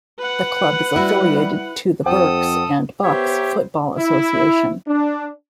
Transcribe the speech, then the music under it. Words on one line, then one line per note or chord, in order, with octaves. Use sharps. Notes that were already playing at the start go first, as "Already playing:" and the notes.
The club is affiliated to the Berks and Bucks Football Association.
B4 F#5
G3 E4 F#4
F2 A4 C5 F#5 G5 D#6
B3 G4 C5 C#5 E5
E4
D4